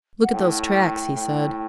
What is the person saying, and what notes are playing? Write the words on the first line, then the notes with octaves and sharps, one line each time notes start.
"Look at those tracks," he said.
F#5
A2 G5
A2